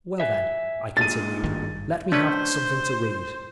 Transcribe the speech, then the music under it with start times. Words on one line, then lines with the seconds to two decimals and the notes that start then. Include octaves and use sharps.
"Well then," I continued, "let me have something to read."
0.20 E5 G#5
0.97 D2 A#2 G#3 A6 D#7
1.43 G#1 G2 D#3
2.12 A3 C#4 D4 B4 C5